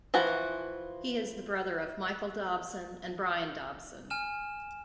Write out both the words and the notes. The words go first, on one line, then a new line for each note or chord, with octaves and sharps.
He is the brother of Michael Dobson and Brian Dobson.
E3 F3 F#4
G#5 F6 E7